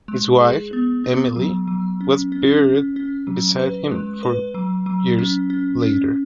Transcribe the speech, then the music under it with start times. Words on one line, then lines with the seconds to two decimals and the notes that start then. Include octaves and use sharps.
His wife, Emilie, was buried beside him four years later.
0.08 G#3
0.41 G#4
0.73 B3
1.04 B3
1.36 F#3
1.67 F#3
2.01 C#4
2.32 C#4
2.64 C#4
2.96 C#4
3.27 F#3
3.59 B4
3.91 G#3
4.23 B4
4.54 F#3
4.86 F#3
5.19 C#4
5.50 C#4
5.82 C#4